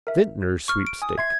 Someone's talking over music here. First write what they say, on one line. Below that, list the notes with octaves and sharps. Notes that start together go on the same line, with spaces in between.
Vintners' sweepstake.
A#4 E5
C#6 F6
D7
G#5 D#6
E5 C6 G#6 C7